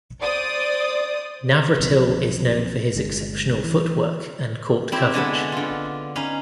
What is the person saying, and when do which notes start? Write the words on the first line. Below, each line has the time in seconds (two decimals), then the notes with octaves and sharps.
Navratil is known for his exceptional footwork and court coverage.
0.20 C5 D5 D#6
1.79 B1 F2
2.95 G1 D3 G#3
3.64 E3
4.92 C4 E4 G4
5.14 D3 G#3 B3 E4
5.52 D3 F4
6.15 C#4 D#4 B4 F5